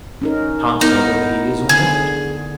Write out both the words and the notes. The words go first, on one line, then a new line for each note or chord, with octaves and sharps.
"Can't say whether he is, or not."
C#4 D#4 A#4
B3 D#4 E4 A#4
D3 G#4